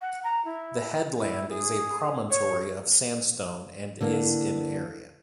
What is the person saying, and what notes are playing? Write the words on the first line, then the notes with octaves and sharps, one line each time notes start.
The headland is a promontory of sandstone and is in area.
F#5
A#5
E4
E4
G#4
C#5
D3 E3 A#3